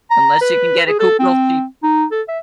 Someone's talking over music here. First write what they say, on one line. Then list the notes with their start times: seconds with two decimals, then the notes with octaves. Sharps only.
unless you can get a coop real cheap.
0.10 A#5
0.41 B4
0.88 G#4
1.00 A4
1.19 C4
1.83 D#4
2.11 A4
2.28 E5